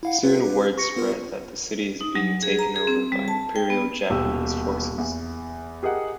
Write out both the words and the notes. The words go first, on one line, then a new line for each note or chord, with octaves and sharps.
Soon, words spread that the city is being taken over by Imperial Japanese forces.
E4 F5 F#5
C4 F4 B4
G4 B4
C#6 A#6 C#7
B3 F4 A#4
D#4
F#3
G#4
A#5
G#4
C4
G3
A5
G5
B3
D#1 B2 G4 E6
E2
G4 G#4 A#4 D#5 F#5